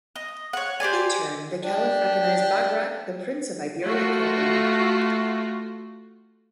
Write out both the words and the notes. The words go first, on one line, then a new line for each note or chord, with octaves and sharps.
In turn, the Caliph recognized Bagrat the prince of Iberia-Kartli.
D#5
C#5 F#5
G4 C5 D5 G#5
D4 G4
A3 F4 F#4